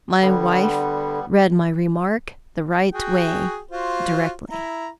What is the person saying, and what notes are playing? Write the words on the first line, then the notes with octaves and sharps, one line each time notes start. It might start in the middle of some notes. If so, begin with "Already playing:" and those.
My wife read my remark the right way directly.
D3 G3 B3
F#4 G#4 G5
F4 F#4 C5
E4 A#5